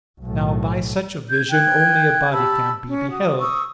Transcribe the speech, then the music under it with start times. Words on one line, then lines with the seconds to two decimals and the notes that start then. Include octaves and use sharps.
Now by such a vision only a body can be beheld.
0.21 B1 A2
1.29 G6 G#6
1.50 G5 F#6 G#6
2.31 G4 A5 B5 E6
2.87 C#4
3.10 F#4 D#6
3.40 C#6 D#6 E6